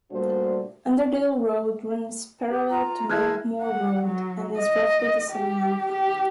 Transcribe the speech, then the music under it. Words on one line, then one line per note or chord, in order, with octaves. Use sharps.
Underdale Road runs parallel to Monkmoor Road and is roughly the same length.
A#2 G3 A3 D4 F#4 C5
G4
F4 A#5
E3 G#3 E4 G#4 A5 F6 F#6 G#6
F#5
F#3
D#5
G4
G4